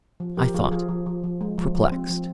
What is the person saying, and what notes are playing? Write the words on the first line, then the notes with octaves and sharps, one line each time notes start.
I thought perplexed.
F3
F3 G4 A#4
F3 F4 G#4
F3 F4 G#4
F3
F3
F3
G#3
F3
F3
C4
F3